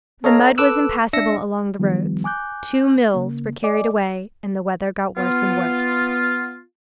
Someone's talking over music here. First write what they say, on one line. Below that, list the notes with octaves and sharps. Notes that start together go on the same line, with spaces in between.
The mud was impassable along the roads; two mills were carried away, and the weather got worse and worse.
A4 C#5 D#5 F5 A#5
A4 B4 D6 E6 F#6
D4 E5 E6 A#6 C#7
D#3 F3 G3 B3
G#5 D6 F#6 G6
C#3 A#3
D5 D#5 G#5 D6
B3 F4